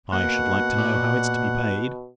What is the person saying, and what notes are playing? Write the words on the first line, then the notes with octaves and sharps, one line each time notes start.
I should like to know how it's to be paid?
B2 A#3 F#5
A#2 D5